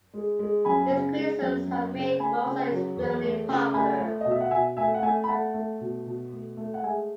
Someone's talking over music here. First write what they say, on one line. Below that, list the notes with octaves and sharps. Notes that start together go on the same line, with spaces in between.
His criticisms have made Moussa extremely popular.
G#3
G#3
F#2 G#5 B5
C#3
G#3
F#2
F#2
C#3
A3 G#5 B5
C#3
F#3
E2
A3
C#3
A3 G#5 B5
A3
B2 D#5
E5
F#5
B2 E5 G#5
A3 E5 G#5
F#5
A3 E5 G#5
B5
A3 F#5 A5
A3
B2
B2
A3
A3
F#5
G#3 E5 G#5